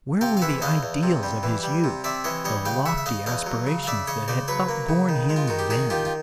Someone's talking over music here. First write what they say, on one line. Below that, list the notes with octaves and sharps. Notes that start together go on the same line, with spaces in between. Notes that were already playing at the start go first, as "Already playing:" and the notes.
Where were the ideals of his youth, the lofty aspirations that had upborne him then?
C3 F5 G5
F5
E3 E5 F#5
E2 D#5 F5
E2
C3
G3
E3
G3
C3
C3 D5 E5
E3 C#5 D#5
G3 C#5 D#5
C#3 F5 G5
C#3 E5 F#5
E5
C#3 D#5 F5
E2 D#5 F5
F#3
C#3
F5
C#3 D5 E5
C#3 C#5 D#5
C#3 C5 D5
F#3 B4 C#5
A#3
C#3
D#3
G#3
F4
D#3 F#4
G4
D#3 F#4 G#4
D#3 F4 G4
F4